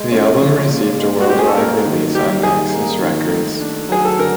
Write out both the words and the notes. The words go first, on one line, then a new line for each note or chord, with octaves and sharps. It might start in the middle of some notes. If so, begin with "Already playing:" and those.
The album received a worldwide release on Naxos Records.
Already playing: G#3
C#4
F3
A#2
G#3
F#4
C#4 G4
G#4
A4
A#3 A#4
D#3
G3 G4
D#3 G#4
A#3
D#3
A3
D4
F#3 G#4
A4
D3 A#4